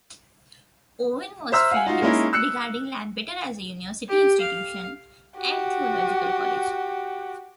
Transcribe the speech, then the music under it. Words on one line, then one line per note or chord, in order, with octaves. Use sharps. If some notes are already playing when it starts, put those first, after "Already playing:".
Owen was furious, regarding Lampeter as a university institution "and" theological college.
C5 E5 A#5 E6 F6
F5 F#5 G#5
D#4 F4 F#4
G#3 A#3 C#4 D#4 E4 A#4
E6 F#6 C#7
G4
F5
F#4 G4